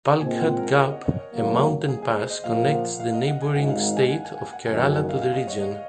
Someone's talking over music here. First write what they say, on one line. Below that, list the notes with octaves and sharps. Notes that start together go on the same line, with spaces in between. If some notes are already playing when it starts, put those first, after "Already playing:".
Palghat Gap, a mountain pass connects the neighbouring state of Kerala to the region.
A#2 G#3 C4 G#5
F#5
A#4
C#5
D#5
C#5
G#1 F#2 C#3 F#3 A#3
G#4
G#4
C5
D#5
A#2 F3 A#3 F5
F#5
F5
D#5
F#5
G#5
G#1 G#2 D#3 G#3 D#4 F#5
F5
F#5
G#5
F#5
G#5
G#5
F#5
F#1 F#2 D#3 G#5
G#5
F#5
F5
F5
D#5
C#5
D#5